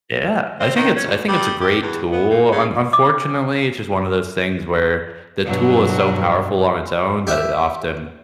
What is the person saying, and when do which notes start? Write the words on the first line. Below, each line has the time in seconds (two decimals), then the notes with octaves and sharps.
Yeah, I think it's I think it's a great tool. Un unfortunately, it's just one of those things where the tool is so powerful on its own that it often
0.60 C4
0.76 D#3
0.96 C#4
1.07 D2
1.28 G3
1.61 G4
1.82 E2
2.11 B3
2.30 A#2
2.52 C#3
2.93 D6
5.45 G2 B2 F#3
7.27 G4 E5